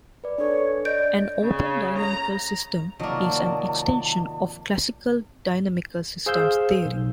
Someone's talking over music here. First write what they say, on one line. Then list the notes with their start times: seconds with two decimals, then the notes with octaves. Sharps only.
An "open dynamical system" is an extension of classical dynamical systems theory.
0.24 B4 D5
0.38 D4 A4 C#5
0.85 D5 D#5 G6 D7
1.42 C#3
1.97 A#5
2.99 C3 D#3 F3 F#3 A#3 D5 D#5 A5
6.26 G#4 C5 F5 E6 G6
6.85 B1